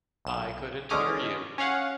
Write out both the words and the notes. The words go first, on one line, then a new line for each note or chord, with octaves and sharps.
I couldn't hear you.
B1 E7
D3 G#3 C#4 D6 D#6 F6
C#4 C#5 F5 F#5